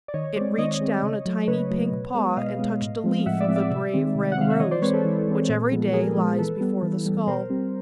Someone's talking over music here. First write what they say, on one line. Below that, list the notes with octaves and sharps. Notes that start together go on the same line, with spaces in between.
It reached down a tiny pink paw and touched a leaf of the brave red rose which every day lies before the skull.
D5
D#3 C#5 D#5
G#3 C4 C5 D5
D#3 C#5 D#5
G#3 C4
C#3
F#3 A3
C#3 B4 C#5
F#3 A3
B2
G#3 B3
B2 D#5 F5
G#3 B3
A2
F3 G#3 C4
A2 E5 F#5
D5 E5
F3 G#3 C4
D5 E5
C3 D5 E5
D#3 G#3 C4
C3
F#5
D#3 G#3 C4 F5
E5
E3 C#5 D#5
C5 D5
G#3 C4 B4 C#5
A4 B4
E3
G#3 C4
A#2
F3 G#3 B3
A#2 G#4 A#4
F3 G#3 B3
E3 A4 B4
G3 B3
E3
G3 B3
B2 A#4 C5
G3 C4